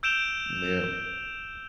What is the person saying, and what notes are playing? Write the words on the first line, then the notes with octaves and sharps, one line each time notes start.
M Yeah.
E6 G6 D7 E7 F7 G7